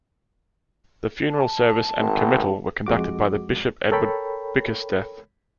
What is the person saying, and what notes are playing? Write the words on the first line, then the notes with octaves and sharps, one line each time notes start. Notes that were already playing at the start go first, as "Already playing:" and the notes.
The funeral service and committal were conducted by the Bishop Edward Bickersteth.
A5
G#1
F2 G#3 F#4 D6
A4 A#4 C#5 G5 B5